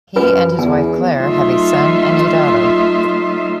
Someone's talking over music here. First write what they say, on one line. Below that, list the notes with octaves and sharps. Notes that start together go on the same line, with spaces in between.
He and his wife Clare have a son and a daughter.
F#2 F4 B4 G#5
E2 G#5
F#3 A3 D#4 F4 E5 C6